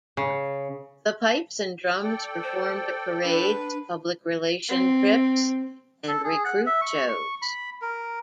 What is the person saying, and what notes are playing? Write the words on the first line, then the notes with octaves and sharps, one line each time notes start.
The Pipes and Drums performed at parades, public relation trips and recruit shows.
C#3
A4 D5 G5
C5
D4 B4
C4
A4
G#4
F#5
E5
C#6
C#6
B5
A#4